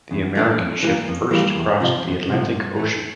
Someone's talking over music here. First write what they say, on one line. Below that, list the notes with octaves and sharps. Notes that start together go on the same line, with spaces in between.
The American ship first crossed the Atlantic Ocean.
E2
E3 A3 D4
F2
E3 G3 A#3
F2
E3 G3 A#3
E2
C3 F3
E2
C3 F3
G2
E3 A3